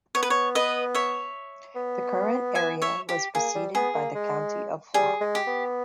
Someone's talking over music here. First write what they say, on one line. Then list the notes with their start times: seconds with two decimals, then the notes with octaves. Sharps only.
The current area was preceded by the County of Foix.
0.15 B3 C#5
0.23 B4
0.30 C#5
0.55 B4 D#5
0.95 C#5 E5
1.75 B3
2.55 E5 G#5
2.82 C#5 E5
3.09 G4
3.35 A#3 G#4
3.55 G3
3.75 B3 G#4
3.95 A#3
4.15 G#3
4.94 G3 G#4
5.21 G#3
5.35 G4
5.47 B3